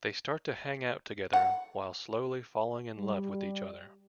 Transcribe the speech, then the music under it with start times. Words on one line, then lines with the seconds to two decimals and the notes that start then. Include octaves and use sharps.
They start to hang out together while slowly falling in love with each other.
1.33 F#5
2.97 G3